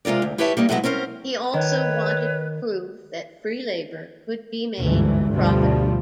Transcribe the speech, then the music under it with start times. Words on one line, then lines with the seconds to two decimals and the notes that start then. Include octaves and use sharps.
He also wanted to prove that free labour could be made profitable.
0.05 C3 G#3 F4 A#4 D5
0.22 D2
0.38 E4 G4 B4 C#5 E5 A5
0.57 G3 A#3 D#4
0.69 A2 C3 F#3 G#3 B3
0.84 C4 C#4 A#4 C5
1.54 D#3 B4 C#5
4.80 G1 D2 G#2 E3
5.32 D2 G2 B2 F3 G3